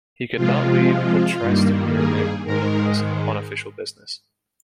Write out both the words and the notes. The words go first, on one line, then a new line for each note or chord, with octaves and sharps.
He could not leave the Trastevere neighborhood unless on official business.
C3 F3 G#3 F4
G2 D#3 G3 A#3
G#4
G#2 D#3 G#3 A#4